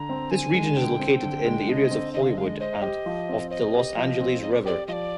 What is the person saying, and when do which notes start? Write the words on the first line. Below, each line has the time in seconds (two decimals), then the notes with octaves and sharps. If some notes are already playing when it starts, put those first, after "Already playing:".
This region is located in the areas of Hollywood and of the Los Angeles River.
Already playing: D3 A#5
0.09 C4
0.31 D3 G#5
0.54 G#3
0.77 D3 G5
1.00 C4
1.22 D3
1.45 G#3
1.69 D3 D#5
1.91 C4
2.14 D3 D#5
2.23 F5
2.30 D#5
2.37 G#3 F5
2.46 D#5
2.60 C5 D#5
2.82 G4
3.06 F3
3.29 C4
3.51 C5 D#5
3.74 G4
3.97 F3
4.20 C4
4.42 C5 D#5
4.51 D5
4.65 G4 D5
4.88 F3 D5 D#5